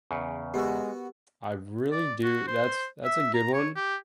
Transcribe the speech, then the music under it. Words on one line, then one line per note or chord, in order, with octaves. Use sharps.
I really do that's that's a good one,
E2 C#3
G#3 B3 F#4 G4 A#4
D5
F#4
C5
E5
A#5
C#5
G4